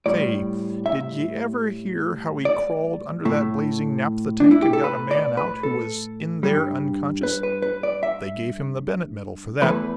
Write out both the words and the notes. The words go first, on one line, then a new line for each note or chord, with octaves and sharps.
Say, did ye ever hear how he crawled under that blazing naphtha tank and got a man out who was in there unconscious? They gave him the Bennett medal for that.
A2 G3 D5
E5
D5
A2 A3
D4
E4
G4
A4
B4
D5
B4
A4
G2 G3
B4
B4
B4
D5
E5
E2 E3 A3 B4